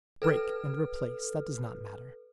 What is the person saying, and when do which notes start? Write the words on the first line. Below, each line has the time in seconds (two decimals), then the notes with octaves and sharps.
Break and replace; that does not matter.
0.22 A4 B4 F6